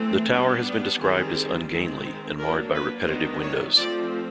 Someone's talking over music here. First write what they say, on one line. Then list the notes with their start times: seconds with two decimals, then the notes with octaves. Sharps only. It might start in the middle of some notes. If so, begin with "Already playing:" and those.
The tower has been described as "ungainly", and marred by repetitive windows.
Already playing: E3 A3 C4
0.31 G3 B3 D4
1.00 D#3 G3 C4 G#4
1.69 D#3 G#3 C4
2.39 F#3 A#3 D4 A#4
2.74 B4
3.08 D#3 G3 B3 D4 C5
3.43 C#5
3.77 F3 A3 C4 D5